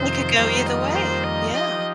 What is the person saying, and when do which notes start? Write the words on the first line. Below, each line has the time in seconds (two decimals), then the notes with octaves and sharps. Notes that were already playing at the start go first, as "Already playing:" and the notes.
It could go either way, yeah.
Already playing: F2 C3 D#3 C5
0.38 F2 D#3 G3 A#3 C5
0.67 D#5
0.95 C5
1.24 D#5
1.53 F3 D#4 G4 D#5